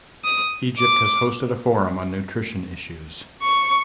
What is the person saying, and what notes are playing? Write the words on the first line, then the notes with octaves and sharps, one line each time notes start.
Egypt has hosted a Forum on nutrition issues.
D#6
D6
C#6